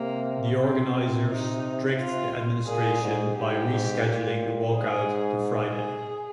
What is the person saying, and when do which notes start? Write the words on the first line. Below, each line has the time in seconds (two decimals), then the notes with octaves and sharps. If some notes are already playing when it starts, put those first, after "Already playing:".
The organizers tricked the administration by rescheduling the walkout to Friday.
Already playing: C3 A#3
0.59 C4
1.28 D#4
1.98 F4
2.67 A#2 G#4
3.02 G#2
3.36 G#2 G4
3.71 G#2
4.06 A#2
4.75 G#2 G#4
5.45 G#4